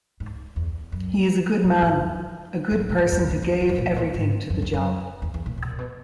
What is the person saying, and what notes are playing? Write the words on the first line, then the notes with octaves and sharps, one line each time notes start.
He is a good man; a good person who gave everything to the job.
G#2
E2
F#2
A#2
G#2
F#2
F#2
G#2
A#2
G#2
F#2
E2
E2
E2
E2
F#2
A#2
G#2
A#2
G#2
F#2
F#2
F#2
E2
E2
A#2
B2
A#2
B2